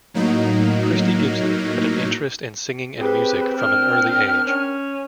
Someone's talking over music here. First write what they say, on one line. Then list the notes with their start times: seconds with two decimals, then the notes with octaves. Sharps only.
Christy Gibson had an interest in singing and music from an early age.
0.14 A2 F#3 A#3 D#4
2.99 C4 G4 G#4 B4
3.58 D4 A#4 G5 F6
4.47 C#4